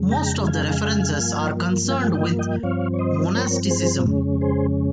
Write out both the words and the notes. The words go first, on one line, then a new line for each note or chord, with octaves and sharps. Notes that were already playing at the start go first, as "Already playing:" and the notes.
Most of the references are concerned with monasticism.
Already playing: F2 C#3 G#3
G5 A#5
F5 G#5
G2 F3 A#3
F5 G#5
D#5 G5
D#5 G5
G2 F3 C4 C#5 F5
C#5
C5 D#5
D#5
A#4 C#5
G#4 C5
F2 C#3 G#3 C#4
G#4 C5